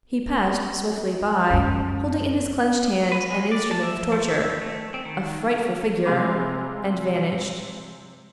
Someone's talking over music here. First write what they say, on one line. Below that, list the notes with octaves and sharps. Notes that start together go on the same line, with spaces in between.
He passed swiftly by, holding in his clenched hand an instrument of torture--a frightful figure--and vanished.
F#2 G#3
B4
G#3
D5
A5
E5
F3
E5
A3
C4
D#3
C3 G#3 F5 B5 D6